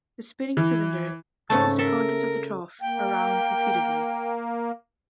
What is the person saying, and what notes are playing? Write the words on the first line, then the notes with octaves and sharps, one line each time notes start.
The spinning cylinder pushes the contents of the trough around repeatedly.
E3
G#2 C#3 A3 A5
A4 A#4 E5
A#3 G5